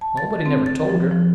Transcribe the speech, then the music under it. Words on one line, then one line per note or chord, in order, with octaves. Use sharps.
"Nobody never told her."
A5
A6
C4
A6
F3
F3